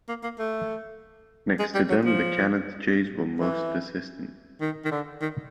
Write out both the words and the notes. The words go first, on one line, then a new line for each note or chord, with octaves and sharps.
Next to them the Canada jays were most persistent.
A#3
A#3
A3
G#3
G3
F#3
F3
E3
D#3
D#3
D3
D#3